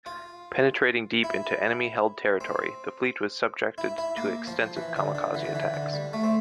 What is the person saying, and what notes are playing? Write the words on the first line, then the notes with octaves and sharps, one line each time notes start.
Penetrating deep into enemy-held territory, the fleet was subjected to extensive kamikaze attacks.
F4
E4
C4
E4
E4
A#3
F3
E3
D3
D3
E3
D3
E3
D3
G3
A3
C4